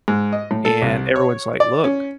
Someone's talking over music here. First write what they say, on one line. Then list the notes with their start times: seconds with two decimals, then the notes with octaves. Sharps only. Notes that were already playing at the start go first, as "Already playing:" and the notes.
and everyone's like, "Look,
0.08 G#2
0.32 D#5
0.51 A2
0.65 A4
0.82 C2
1.16 C#5
1.60 D5
1.84 C#4